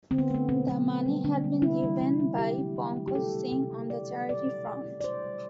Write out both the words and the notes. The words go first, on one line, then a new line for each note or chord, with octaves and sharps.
The money had been given by Pankaj Singh on the charity front.
D3 C4
B3
A3 B3
B2 C4
F#3 A3
D3
G3
D3 D4
G3
C3 E4
E3 G3
C3
G3
C3 G4
F#3 A3
D3
F#3 A3
G4
B2 A4
A3
C3
G3
C3 D5
F#3 A3
B2 D5
G3
B2
A3
D5
B2 C5
G3